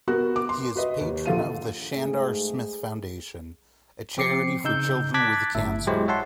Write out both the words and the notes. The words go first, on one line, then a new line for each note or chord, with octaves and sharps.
He is patron of the Shandar Smith Foundation, a charity for children with cancer.
B3 F#4 A#4 F#6
D6
C6
F#4 B4 D#5
D#2
A#1 D3 F4 D#7
G#2 A3 G#4
F3 C4 D6 C7 C#7
C#3 D#4 E6 G6
A5 D6 F#6 G#6 A6 B6
G1 A2 E5
F#3 G#3 E4 G4 C5 C#5
C#5 E5 F#5 A5 C6